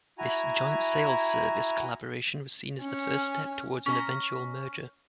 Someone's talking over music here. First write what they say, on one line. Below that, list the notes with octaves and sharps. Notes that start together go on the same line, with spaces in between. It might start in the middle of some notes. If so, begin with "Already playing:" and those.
This joint sales-service collaboration was seen as the first step towards an eventual merger.
E4 F#4 G#5 A#5
C#4
C#4 A#5